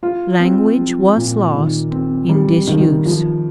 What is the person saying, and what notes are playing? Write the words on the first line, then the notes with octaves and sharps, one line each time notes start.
Language was lost in disuse.
F4
C4
F3
A#2
D#3
C4
G3
D#3
F3